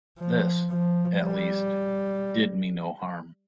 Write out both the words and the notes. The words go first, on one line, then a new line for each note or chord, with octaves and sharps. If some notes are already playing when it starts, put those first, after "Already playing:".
This, at least, did me no harm.
F3
F3
G3